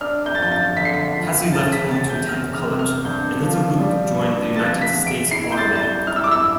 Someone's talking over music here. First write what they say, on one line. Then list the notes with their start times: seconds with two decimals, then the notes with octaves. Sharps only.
Hassie left home to attend college, and Little Luke joined the United States Army.
0.01 D4 F6
0.26 G6
0.35 A6
0.39 F3 G6
0.52 A6
0.77 D3 B6
0.85 C7
0.94 B6
1.15 F3
1.53 E1 A6
1.72 B6
1.91 E2 A6
2.09 G6
2.28 E2 F6
2.54 F6
2.67 C3
2.79 F6
3.05 G2 G6
3.42 F3
3.80 G3
4.19 G2
4.56 F3 A6
4.82 B6
4.94 E2
5.07 D7
5.31 E4 C7
5.52 G6
5.58 A6
5.69 G3
5.76 A6
5.83 G6
6.07 E4 F6
6.16 E6
6.24 D6
6.31 E6